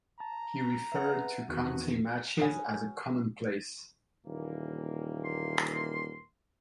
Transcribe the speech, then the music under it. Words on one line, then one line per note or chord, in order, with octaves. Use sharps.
He referred to county matches "as a commonplace".
A5 A#5
B4 E5 F#5
E2 D#3 B3 F#4
B3 C#4 F#4 G#4
D#1 D#3 E3 A#3
C6